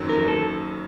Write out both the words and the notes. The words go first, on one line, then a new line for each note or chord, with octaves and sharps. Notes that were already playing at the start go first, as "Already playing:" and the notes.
you know
Already playing: F#1 F#2 D#3 F#3
A#4
A4